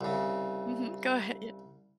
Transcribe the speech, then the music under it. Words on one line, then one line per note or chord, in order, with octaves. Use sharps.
mhm, go ahead, ye
C2 C#3